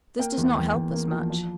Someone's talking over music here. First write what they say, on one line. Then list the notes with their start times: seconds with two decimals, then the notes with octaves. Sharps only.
"This does not help us much."
0.19 A#3 G5
0.38 E2
0.56 E2 G5
0.75 E2
0.93 A#3
1.11 F3
1.30 F3